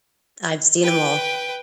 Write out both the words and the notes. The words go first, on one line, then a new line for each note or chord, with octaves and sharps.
I've seen 'em all
B4 G5